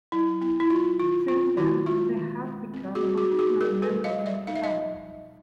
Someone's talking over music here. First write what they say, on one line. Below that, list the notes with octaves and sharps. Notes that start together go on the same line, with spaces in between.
Since then they have become official members of the band.
F#3 E4
B3 E4
E4
F#3 F4
D#3 F4
B3 F4
D#3 E4 F#4
G#3 F4
D#3
G#3
C4
F#4 G#4
G3
F#4 G#4
D#4
F#4 G#4
G3 G#4 A#4
A4 B4
G3
D#5 F5
G3
D5 E5
D#4 F5
E5
D#5 F5